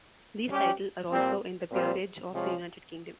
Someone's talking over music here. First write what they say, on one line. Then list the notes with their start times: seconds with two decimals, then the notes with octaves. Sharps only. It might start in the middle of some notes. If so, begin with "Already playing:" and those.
These title are also in the Peerage of the United Kingdom.
0.49 G3 C#4 G4
1.10 A#2 G3 C4
1.71 A#2 G3 C4 F4 C5
2.32 C3 F3 G#3 C#4